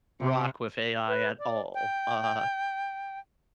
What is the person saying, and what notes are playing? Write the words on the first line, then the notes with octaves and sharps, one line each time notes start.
rock with AI at all. Uh,
C3
B4
D5
G5